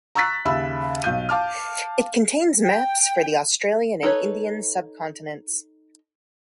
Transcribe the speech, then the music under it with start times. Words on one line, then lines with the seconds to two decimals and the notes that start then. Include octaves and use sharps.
It contains maps for the Australian and Indian sub-continents.
0.15 A#5 C#6 E6 F#6 A6 B6
0.45 D#2 C#3 E5 B5 E6
1.03 B1 F5 G6 D#7
1.29 F5 A5 D6 F6
2.64 G5
4.03 D#4 A4 B4 C#5